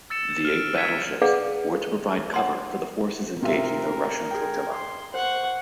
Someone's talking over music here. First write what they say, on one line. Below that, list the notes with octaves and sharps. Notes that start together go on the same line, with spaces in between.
The eight battleships were to provide cover for the forces engaging the Russian flotilla.
E6 A6 C#7 E7
F6 D7
G#6 B6 C#7 D#7
G#4 B4 D5 F5 F#5
F#5 C6
C3 F4 A#4 E5
G#4 G5
C6
C5 F#5 C#6